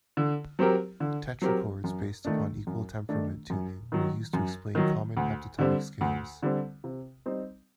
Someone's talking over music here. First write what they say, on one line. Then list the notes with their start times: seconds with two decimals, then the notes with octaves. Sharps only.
Tetrachords based upon equal temperament tuning were used to explain common heptatonic scales.
0.17 D3
0.59 F#3 C4 G4 A#4
1.00 D3
1.42 F#3 C4 G4 A#4
1.84 F#2
2.25 D#3 A3 D4
2.67 F#2
3.09 D#3 A3 D4
3.50 F#2
3.92 D#3 F#3
4.34 F#2
4.75 D#3 F#3
5.17 D2
5.59 D3 G3 C4
6.01 D2
6.42 D3 G3 C4
6.84 C3
7.26 G3 C4 D#4